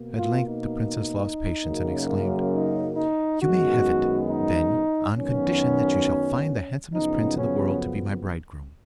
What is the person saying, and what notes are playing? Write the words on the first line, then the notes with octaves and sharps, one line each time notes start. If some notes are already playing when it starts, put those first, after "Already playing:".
At length the princess lost patience, and exclaimed, 'You may have it, then, on condition that you shall find the handsomest prince in the world to be my bridegroom!'
Already playing: B2 A#3
F4
D#4
F#2 C#3 F#3 A#3
D#4
D#4
F#2 D#3 G#3 B3 F#4
D#4
F#2 D#3 F#3 B3 C#4
F#2 C#3 F3 B3 D#4
C#4